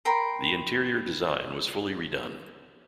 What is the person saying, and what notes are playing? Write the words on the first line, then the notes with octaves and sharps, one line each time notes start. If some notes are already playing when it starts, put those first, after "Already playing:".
The interior design was fully re-done.
A#4 G5 B5 C6